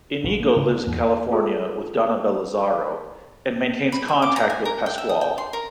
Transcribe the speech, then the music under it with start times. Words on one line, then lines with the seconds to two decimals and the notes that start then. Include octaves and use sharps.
Inigo lives in California with Donabelle Lazaro, and maintains contact with Pascual.
0.24 A1
0.40 A#3
0.56 C#3
0.71 B3
0.87 E2
1.32 F4 G#4 A4
3.92 B5
4.08 E5
4.22 D6
4.36 A#5
4.50 G#5
4.65 A#4
4.86 G5
4.98 E5
5.09 D#6
5.21 G5
5.38 C6
5.53 A#4